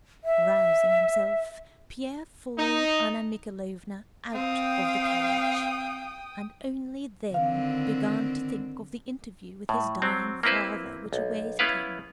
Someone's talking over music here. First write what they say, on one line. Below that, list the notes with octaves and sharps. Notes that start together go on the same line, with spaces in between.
Rousing himself, Pierre followed Anna Mikhaylovna out of the carriage, and only then began to think of the interview with his dying father which awaited him.
E5
D#4
C4 F5 G5 D#6
D3 D#3 C4 F5
A2
F#3 C4
A#3 C4 E4 B4 C5
B1
B3 C#4 E4 B4 F5